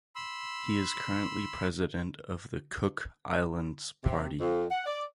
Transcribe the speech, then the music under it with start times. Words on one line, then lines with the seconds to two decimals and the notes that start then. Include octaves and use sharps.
He is currently president of the Cook Islands Party.
0.16 B5 C6 E6
4.04 C3
4.40 F2
4.71 F#5
4.86 D5